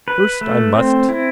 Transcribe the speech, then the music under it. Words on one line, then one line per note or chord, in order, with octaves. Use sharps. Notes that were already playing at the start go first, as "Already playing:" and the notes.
First I must.
B4
A3
C4
E4